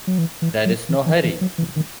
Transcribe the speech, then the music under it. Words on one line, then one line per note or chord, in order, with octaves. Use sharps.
There is no hurry.
F#3
E3
E3
F#3
E3
E3
E3
F#3
E3
D#3